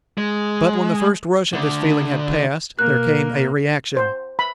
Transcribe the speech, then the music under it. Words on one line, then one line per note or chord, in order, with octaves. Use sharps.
But when the first rush of this feeling had passed there came a reaction.
G#3
D2 D3
B2 A#3 A#4 F#6
C5
B5